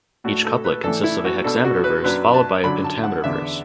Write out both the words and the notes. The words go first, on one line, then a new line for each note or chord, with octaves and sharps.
Each couplet consists of a hexameter verse followed by a pentameter verse.
A2 A3 D4 F#4
A4
B4
A2 E3 D4 A4
E4
F#4
B2 B3 D4 A4
F#4
B4
F#2 F#3 D4 B4
A5
F#2 D3 F#3 D4 B5
A5
F#5
E2 D3 B3 E5